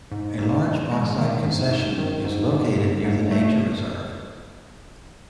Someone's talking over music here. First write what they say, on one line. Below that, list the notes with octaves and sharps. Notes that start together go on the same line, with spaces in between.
A large bauxite concession is located near the nature reserve.
G#2
G#2
E3
G#3
D#3
G#2
G#2
D#3
G#2
G#2
G#2
G#2
A3